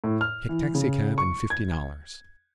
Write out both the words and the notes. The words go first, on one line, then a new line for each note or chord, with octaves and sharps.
Take taxicab and fifty dollars.
A2
F6
E3
C#3
C#6
G#6